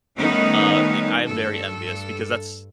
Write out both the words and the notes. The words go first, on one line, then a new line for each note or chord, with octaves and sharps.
uh, i I am very envious because that's
D#3 G3 A3 B3 C#4 D#4
G2 A4